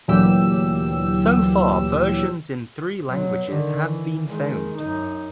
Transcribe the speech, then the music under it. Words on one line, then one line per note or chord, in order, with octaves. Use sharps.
So far versions in three languages have been found.
D2 A#2 E3 F#3 G4 E6
B2 F#3
D3 D#3
E3
D#3 G#3
F#2 D#4